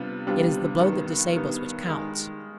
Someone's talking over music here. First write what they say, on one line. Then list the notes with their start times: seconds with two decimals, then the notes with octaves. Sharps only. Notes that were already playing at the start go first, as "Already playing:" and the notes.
It is the blow that disables which counts.
Already playing: C3 G3 B3 D4 F4
0.27 C3 G3 B3 D4 F4
0.80 G2 D#3 B3
1.34 G2 D#3 B3
1.87 D#3 G#3